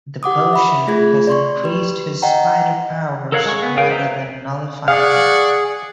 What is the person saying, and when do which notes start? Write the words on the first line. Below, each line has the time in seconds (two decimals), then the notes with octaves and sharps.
The potion has increased his spider powers rather than nullifying them.
0.23 G4 F#5 D6 D#6
0.53 E5 B5
0.87 A3 F4 G#4 G#6
1.27 D5 C6 C#6
1.64 G4 B4
2.22 D#5 F#5 G5 A#5
3.32 A4 A#4 C#5 F5 F#5
3.46 G#3 C#6
3.62 B3
3.77 G#4 A#4 F5 G5
3.90 B4 C5 D#5 E5 A#5
4.88 G#4 D5 F5 F#5 C#6